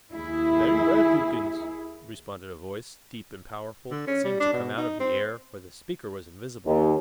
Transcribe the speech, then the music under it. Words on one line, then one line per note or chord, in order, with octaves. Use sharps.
"Very well, Tubekins," responded a Voice, deep and powerful, that seemed to come out of the air, for the speaker was invisible.
D#2 E4 G#4
D3
C#4
G3
D4
B2
D#4
C4
D#2